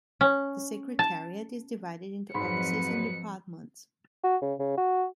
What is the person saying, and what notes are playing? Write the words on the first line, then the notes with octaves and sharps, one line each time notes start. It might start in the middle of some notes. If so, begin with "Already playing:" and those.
The Secretariat is divided into offices and departments.
C#4
A5
F2 G#2 F#3 B4 B5 C#7
F#4
C#3
C#3
F#4